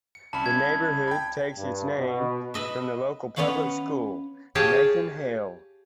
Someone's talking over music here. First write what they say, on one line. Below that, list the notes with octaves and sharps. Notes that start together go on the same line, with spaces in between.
The neighborhood takes its name from the local public school, Nathan Hale.
C#7
C2 C#4 A5 B5
G#6
G5 B5
G2
B2
B4 D#5 E5
B3 C#4 B4 C#5 F5 F#5
G4 G#4 C#5 F5 G5 A5